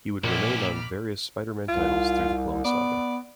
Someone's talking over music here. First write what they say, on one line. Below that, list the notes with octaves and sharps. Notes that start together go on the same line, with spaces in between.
He would remain on various Spider-Man titles through the Clone Saga.
A#1 A#2 A#3 C#4 B5 D6 F6
C2 F4
B3 D5